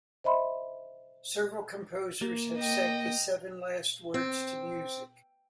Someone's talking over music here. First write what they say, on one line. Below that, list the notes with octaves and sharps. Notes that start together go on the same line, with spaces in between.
Several composers have set the Seven Last Words to music.
C5 D#5 E5 B5 C6
A#3
D#5 G5
C4